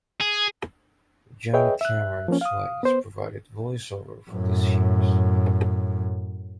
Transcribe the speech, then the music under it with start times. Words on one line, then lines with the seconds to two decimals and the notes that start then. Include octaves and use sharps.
John Cameron Swayze provided voice-over for the series.
0.21 G#4
1.53 G#4 B4 C#5 D#5 E5 G5
1.81 E5 F#6
2.28 F3 A#3 C#4
2.41 F5 D#6
2.83 B3 C5
4.31 F#2 A2